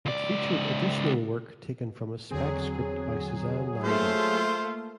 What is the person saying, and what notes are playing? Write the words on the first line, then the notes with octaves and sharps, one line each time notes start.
It featured additional work taken from a spec script by Susanne Lambdin.
C#2 D5
E2 D3 F#3 C4 G#4
A3 A#3 F4 C5 F5 A5